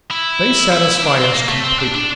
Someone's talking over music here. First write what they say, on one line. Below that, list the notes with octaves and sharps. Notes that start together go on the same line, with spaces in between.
They satisfy us completely.
E4
E4
E4
D4
C4
A#3
A3
C4
D4
D4